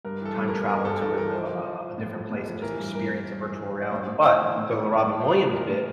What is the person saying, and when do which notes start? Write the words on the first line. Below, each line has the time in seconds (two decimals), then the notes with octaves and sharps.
time travel to a a a a a different place, and just experience a virtual reality, but so the Robin Williams bit,
0.05 G2 A#4
0.21 E3 A4
0.36 G2
0.48 A#4
0.53 G2
0.69 G2 A#4
0.85 G2 A4
1.01 E3 A4
1.17 E3 A#4
1.33 F3 C5
1.50 F3
1.65 F3
1.81 F3
1.98 A2
2.14 F3
2.30 A2
2.47 F3
2.62 E3 A#4
2.78 G2
2.95 G2 A#4
3.10 G2
3.27 G2
3.43 E3
3.59 G2
3.75 G2
3.82 D5
3.91 A2 C5
4.07 A2
4.23 E3 C5
4.40 E3
4.56 A2 C5
4.72 A2
4.77 D5
4.87 A2
4.93 E5
4.99 D5
5.04 A2
5.20 E3 C5
5.36 E3
5.52 E3 A#4
5.69 A2